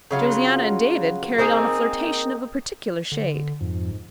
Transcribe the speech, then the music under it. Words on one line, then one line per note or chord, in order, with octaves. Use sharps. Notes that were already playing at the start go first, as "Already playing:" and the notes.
Josiana and David carried on a flirtation of a particular shade.
C#3 F#3 F4
A#3 C4 D#4 G#4
D3
F2 G#2